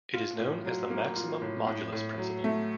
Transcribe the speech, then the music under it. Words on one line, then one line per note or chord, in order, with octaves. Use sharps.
This is known as the maximum modulus principle.
F4
A2
F#3
A#3
F4
A2
A2
A2
F#3
A3